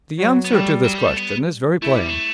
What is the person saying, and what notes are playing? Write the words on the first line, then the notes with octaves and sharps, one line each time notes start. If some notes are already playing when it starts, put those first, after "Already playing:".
The answer to this question is very plain.
F#3
B3
G3 A3
F#3
G3
A3
B3
A3 E4
G3
A3